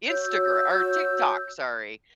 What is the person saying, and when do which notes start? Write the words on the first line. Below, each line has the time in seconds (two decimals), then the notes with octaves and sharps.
Instagr or TikTok, sorry,
0.08 F#4 C#5 E6 G6